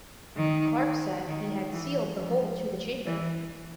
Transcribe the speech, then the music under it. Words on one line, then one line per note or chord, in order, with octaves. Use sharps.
Clark said he had sealed the hole to the chamber.
D#3
D#3
E3
F3
E3